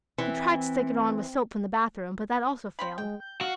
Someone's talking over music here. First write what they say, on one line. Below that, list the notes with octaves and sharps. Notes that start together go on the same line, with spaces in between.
He tried to stick it on with soap from the bathroom, but that also failed.
E3 C4
C4 F4 B5
G#3 G5
G6
F#4 F5